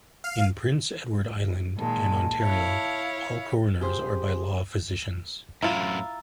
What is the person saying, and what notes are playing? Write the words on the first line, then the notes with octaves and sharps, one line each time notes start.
In Prince Edward Island, and Ontario, all coroners are, by law, physicians.
F5
A#2 D#3 G#3 A5
E4 C#5 F5
C#3 G4 G#4 C5
F#2 A2 E4 F4 A#5 E6 A6